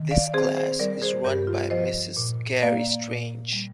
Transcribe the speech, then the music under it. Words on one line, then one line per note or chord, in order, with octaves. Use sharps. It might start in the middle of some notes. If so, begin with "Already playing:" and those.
This class is run by Mrs. Cari Strange.
Already playing: D#3
D5 F5
C4 G#4 C5
G#4 C5
G3 A#4 D5
G#4 C5
G2 G4 A#4
F4
F3 C5 D#5
A#2
A#3 D5 F5
A#2
G3